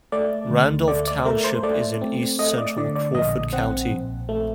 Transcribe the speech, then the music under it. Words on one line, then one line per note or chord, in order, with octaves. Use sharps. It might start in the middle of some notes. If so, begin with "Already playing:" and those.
Randolph Township is in east-central Crawford County.
A3 D5
D2
A3 D5
D5
A3 A#4
C5
A3 D5
C4
A3 D#5
D5
D3 D5
D5
A#1 D#5
C4 F#5
A#1
A3